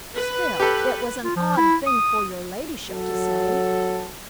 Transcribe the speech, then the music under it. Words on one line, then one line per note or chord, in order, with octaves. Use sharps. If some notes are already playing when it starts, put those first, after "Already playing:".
"Still, it was an odd thing for your ladyship to say."
B4
G4 A4
F4
F3
E4
D#6
F#3 A4